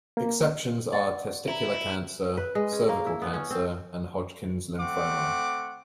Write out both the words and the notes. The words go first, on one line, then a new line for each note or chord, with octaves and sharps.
Exceptions are testicular cancer, cervical cancer, and Hodgkin's lymphoma.
A#3
D5 F#5
E4 A#5
B4
G#3
C#4
A#3
E4
B3
C#4
C4
A3 C4 F#5 C#6 D6